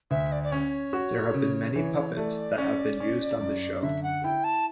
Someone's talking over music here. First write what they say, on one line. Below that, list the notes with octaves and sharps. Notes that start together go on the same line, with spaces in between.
There have been many puppets that have been used on the show.
D2 E5
D5
D5
C#4 C#5
F#4
C#3
E3
A3 D5
C#4
C#4
F#2
D3 E5
F#5
E4 G5
A5